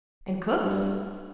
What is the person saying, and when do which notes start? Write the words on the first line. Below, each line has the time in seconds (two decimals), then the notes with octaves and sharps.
"And cooks?"
0.65 G2